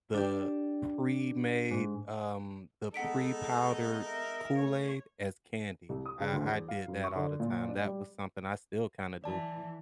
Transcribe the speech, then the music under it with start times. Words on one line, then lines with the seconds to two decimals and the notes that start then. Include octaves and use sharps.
the pre-made, um, the pre-powdered Kool Aid as candy. I I did that all the time, that was something I still kinda do.
0.14 D4 G4
1.71 G#2
2.94 G#3 B3 D#4 A4 F#5 B6 D7
4.06 A#4 E5
4.56 A3 C#5
5.89 C2
6.06 D#6
6.20 C#3
6.33 D2
6.45 E2
6.69 F5
6.88 F#2
7.04 C#6
7.16 D3
7.40 A#2
7.68 D4
7.85 G3
9.24 E3 D5 A5